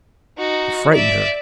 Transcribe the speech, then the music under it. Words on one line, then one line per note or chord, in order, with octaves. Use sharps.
It frightened her.
D#4 F#4
D5 E5